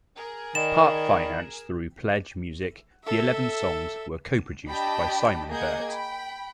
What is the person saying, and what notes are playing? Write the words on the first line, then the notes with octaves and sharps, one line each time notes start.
Part financed through Pledge Music, the eleven songs were co-produced by Simon Byrt.
G#4 A#4
D#3 D5 D#5 B5 E7
A4 E5
D4 G4 D#5 G5 A5 B5
A#3 G#4 D#5 F#5 G6 G#6
G5 B5